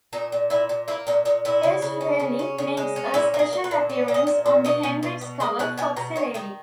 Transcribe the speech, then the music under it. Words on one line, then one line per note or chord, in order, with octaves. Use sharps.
Ace Frehley makes a special appearance on the Hendrix cover "Foxy Lady".
A#2 D#4
A#2
A#2 E4
A#2
A#3 E4
A#2 D#4
A#2 D#4
A#2 E4
C#3
C#3
C#4
C#3
C#4
C#3
G#3
C#4
A#2 E4
A#3
G#4
A#3
B4
A#2
C#4
A#2
D#5
A#2
A#2
B2 D#5
B2
B2
B2
G#3 D#5
B2 F#5
B2 G#5
B2 A#5
D#3 C#5
D#3 D#4